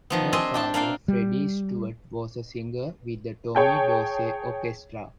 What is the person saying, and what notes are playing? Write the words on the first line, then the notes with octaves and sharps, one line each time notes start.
Her father, Freddie Stewart, was a singer with the Tommy Dorsey Orchestra.
D#3 F3 B3
C4 D4 G4 C5 D#5 G#5
D4 G5 A5
A#3 D4 F5 G5
G3
G#4 C#5 G5 A5